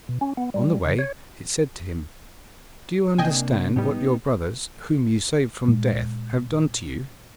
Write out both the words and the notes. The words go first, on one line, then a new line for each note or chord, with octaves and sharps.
On the way it said to him, 'Do you understand what your brothers, whom you saved from death, have done to you?'
B2
C#4
B3
G3
C#3
C#5
C3 A#3 D4 D#5 G5 G#5
A2 G3 B3 D#4 G4
A#2 G#3